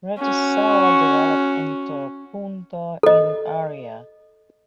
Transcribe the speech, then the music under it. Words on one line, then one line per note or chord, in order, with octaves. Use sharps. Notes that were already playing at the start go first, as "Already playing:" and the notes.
Reticella developed into Punto in Aria.
C#4 F#4
A4 D#5